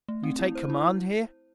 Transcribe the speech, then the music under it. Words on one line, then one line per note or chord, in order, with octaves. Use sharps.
"You take command here?"
A3
C4
E4
C5
E4